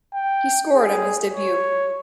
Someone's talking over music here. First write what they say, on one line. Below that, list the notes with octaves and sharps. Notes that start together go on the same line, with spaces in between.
He scored on his debut.
G5
G#4
C#5